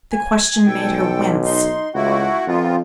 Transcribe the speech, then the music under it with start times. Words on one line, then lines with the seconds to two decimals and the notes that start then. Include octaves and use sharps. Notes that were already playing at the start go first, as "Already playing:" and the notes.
The question made her wince.
0.13 G#5
0.66 B1 A4 G5
1.45 D#4 C6
1.95 C#2 A3 E4 F#4 F#5
2.47 F2 B3 C4 F4